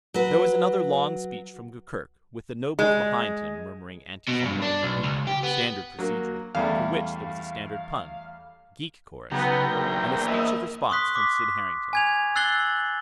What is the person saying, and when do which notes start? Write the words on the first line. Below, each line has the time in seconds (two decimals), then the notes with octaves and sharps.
There was another long speech from Gurgurk, with the nobles behind him murmuring antiphonal agreement--standard procedure, for which there was a standard pun, geek chorus--and a speech of response from Sid Harrington.
0.14 F#3 B4
2.79 G#3
4.29 B2
4.46 G2
4.62 D4
4.83 B1
5.03 C#2
5.27 G4
5.43 B3
5.99 F#3 A#3
6.55 E2 G3 A3 F5
9.32 C#3 F#3 B3 D#4 G5 A#5
9.72 A#1 E2 A#3
10.28 A#4 D#5 E5 B5
10.89 C6 C#6 D#6 F#6 B6
11.16 D6 B6
11.93 G#5 G#6 F7
12.36 E6 F#6 A6 C7 F#7 G7